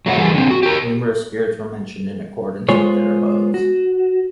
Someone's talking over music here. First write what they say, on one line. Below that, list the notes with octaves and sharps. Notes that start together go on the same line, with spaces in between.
Numerous spirits were mentioned in accordance with their abodes.
F#3 A3 F5 F#5
E3 G3 G#4 A4
D3 C4
F#4
G4 A#4
G#3 B3 F4 G#4 C5 C#5
F#4